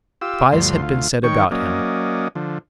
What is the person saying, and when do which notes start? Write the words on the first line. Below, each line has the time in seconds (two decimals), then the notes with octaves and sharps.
Spies had been set about him.
0.21 F4 G4 E6
0.53 D2 G2 F3 C6
0.82 D2 F4
1.24 D#3 C#5 G5 C#6
1.51 F#3 A#3 C#4 D5 D#5
2.35 D3 F3